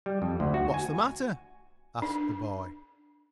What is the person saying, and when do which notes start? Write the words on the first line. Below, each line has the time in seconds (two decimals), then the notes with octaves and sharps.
"What's the matter?" asked the boy.
0.06 G3
0.22 F2
0.40 D2
0.54 F#4
0.74 G#5
2.02 D4